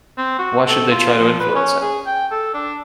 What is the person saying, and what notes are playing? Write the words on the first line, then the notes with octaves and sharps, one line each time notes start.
Why should they try to influence him?
C4
F#4
A4
F4
F3
B4
C#4
G#4
G5
A4
D4